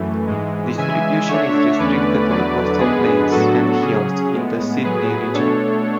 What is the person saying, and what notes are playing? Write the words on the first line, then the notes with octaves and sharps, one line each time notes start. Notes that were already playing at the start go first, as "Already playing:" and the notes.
Distribution is restricted to the coastal plains and hills in the Sydney region.
Already playing: F#2 E3 A3
G#2 E3 G#3
C#3 E3 G#3 E5 G#5
D3 A3 D4 C#5 E5
E2 D3 A3 C#4 B4 D5
E2 D3 F#3 A3 B4 D5
F#2 D3 G#3 B3 D4 G#4 B4
A2 F#3 B3 D4 F#4 A4
C#3 F#3 C#4 G#4
A2 G#3 B3
A2 F#3 B3 G#4 B4
B2 A3 D4 A4 C#5